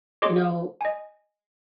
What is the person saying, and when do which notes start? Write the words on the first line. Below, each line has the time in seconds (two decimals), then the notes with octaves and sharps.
you know
0.22 G4 G#4 C#5 D#5 C6 D6
0.81 D#5 G#5